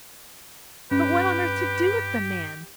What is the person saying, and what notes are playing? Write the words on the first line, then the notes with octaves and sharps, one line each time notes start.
But what on earth to do with the man?
G2 C#4 G4 B4